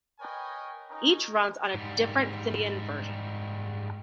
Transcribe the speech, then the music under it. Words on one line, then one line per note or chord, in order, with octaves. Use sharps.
Each runs on a different Symbian version.
A#4 B4 C#5 D#5 G5 G#5
C#4 D#4 A#4
G#2 G3